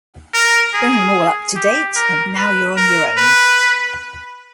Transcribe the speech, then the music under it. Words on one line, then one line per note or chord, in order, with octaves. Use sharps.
'Bring them all up-to-date, and now you're on your own.'.
A#4
G#4
G4
A#4
B4
A#4
B4